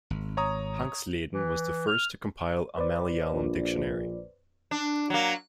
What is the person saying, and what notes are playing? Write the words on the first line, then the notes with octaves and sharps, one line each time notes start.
Hanxleden was the first to compile a Malayalam Dictionary.
G#1
C#5 A#5 D#6
E3
F6
B4 C5 D5
A#1
D4
F#3 A#3